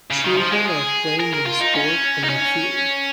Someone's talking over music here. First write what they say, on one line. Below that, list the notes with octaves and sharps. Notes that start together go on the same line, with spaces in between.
Children are playing a sport on a field.
C#3
D#3
F3
G#3
G#4
A#4
A#4
F4
D#4
C#4
D#4
C#4